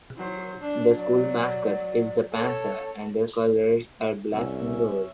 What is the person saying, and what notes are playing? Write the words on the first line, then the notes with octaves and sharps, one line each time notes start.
The school mascot is the Panther and the colors are black and gold.
F#3 C5
D4
F#3 D5
A4 C#5
C2 C#4 E5